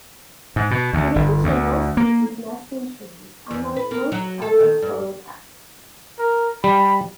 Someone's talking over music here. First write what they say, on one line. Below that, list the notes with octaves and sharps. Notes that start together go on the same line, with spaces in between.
In addition, both species nest in trees, unlike most other scolopacids.
G#2
B2
D2
G1
D2
A#3
E2
B4
A#3
F#3
A4
D#3
G2
A#4
G3 B5